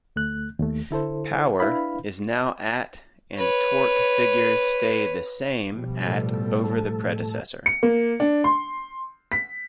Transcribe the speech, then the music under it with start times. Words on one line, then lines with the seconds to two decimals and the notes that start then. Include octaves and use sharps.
Power is now at and torque figures stay the same at over the predecessor.
0.16 D2 A3 F#6
0.59 D#2 A3
0.91 D3 E4 A4 C5
1.60 D4 E4 B4 F5 B5
3.37 B4 C#5
5.71 B2 F3 G3
6.07 A2 A4
7.66 C#7
7.83 A#3
8.20 D4
8.44 C6
9.32 B6